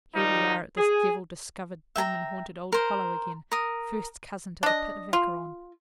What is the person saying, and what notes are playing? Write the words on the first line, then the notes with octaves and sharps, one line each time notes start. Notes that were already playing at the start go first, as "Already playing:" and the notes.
Here we are at this devil-discovered, demon-haunted old Hollow again--first cousin to the pit of Acheron.
D#3 F3 G3 D#4
G#4
E5 G5 A5 A#5
A#4 C5
A#4 D#6
D4 D#5
F4